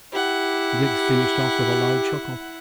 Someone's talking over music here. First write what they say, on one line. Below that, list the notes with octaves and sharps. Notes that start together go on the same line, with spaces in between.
Griggs finished off with a loud chuckle.
E4 G4 F#5